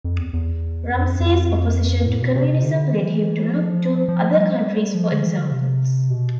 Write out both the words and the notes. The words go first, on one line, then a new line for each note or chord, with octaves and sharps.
Ramsay's opposition to communism led him to look to other countries for examples.
F2
E2
E2
F2
F2
A2
B2
C3
D3
E3
F3
F3
G3
F3
D3
E3
D3
C3
B2